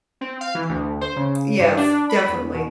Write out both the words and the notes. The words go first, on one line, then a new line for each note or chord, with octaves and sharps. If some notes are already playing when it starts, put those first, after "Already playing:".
Yes. Definitely.
C4
F5
E3
D2
C5
C#3
G2
D4
B5
E2
B2